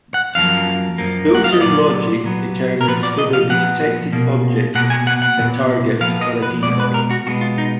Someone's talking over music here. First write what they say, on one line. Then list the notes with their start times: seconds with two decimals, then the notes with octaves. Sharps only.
The built-in logic determines whether the detected object is a target or a decoy.
0.14 F#5
0.35 F#2 F3 A#3 F5
0.98 F#2 F3 A#3
1.35 F#5
1.44 F5
1.53 D#5
1.61 A#2 F#3 B3 D5
2.24 A#2 F#3 B3
2.81 A#4
2.87 A#2 F3 B3 B4
3.03 D5
3.18 D#5
3.33 F5
3.50 A#2 F3 B3 F#5
4.13 B2 A#3
4.75 B2 A#3 F#5
4.90 G#5
5.07 F#5
5.22 F#5
5.38 A#2 F3 B3
6.01 A#2 F3 B3 F5
6.21 D#5
6.42 B4
6.63 B2 G#3 B3 D5
6.80 B4
6.94 A#4
7.10 F#4
7.26 B2 G#3 B3 F#4
7.41 F4
7.58 D#4